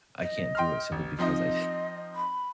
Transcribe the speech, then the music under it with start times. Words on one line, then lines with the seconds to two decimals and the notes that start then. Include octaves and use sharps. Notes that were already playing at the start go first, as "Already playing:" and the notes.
I can't do it simply because I
0.20 D#5
0.55 G5 C6 F6
0.92 A1
1.19 F3 C4 D#4 D#5
2.16 B5